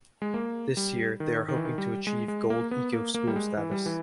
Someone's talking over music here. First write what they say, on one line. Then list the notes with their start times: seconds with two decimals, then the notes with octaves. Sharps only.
This year they are hoping to achieve Gold Eco-School status.
0.22 G#3
0.34 A#3
0.77 G3
1.20 D#3
1.48 D#3
1.56 E3
1.65 D#3
1.78 G3
2.07 G#3
2.28 G#3
2.50 A#3
2.71 B3
2.93 A#3
3.14 A#3
3.27 G3
3.36 G#3
3.57 E3
3.71 G3
3.86 E3